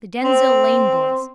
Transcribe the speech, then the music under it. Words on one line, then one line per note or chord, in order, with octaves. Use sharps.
The Denzille lane boys.
C4